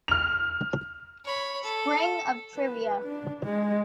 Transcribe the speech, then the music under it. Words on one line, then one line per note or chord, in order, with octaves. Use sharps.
Spring of Trivia.
F6 F7
C#5 B5
A4
B4
D4
G#3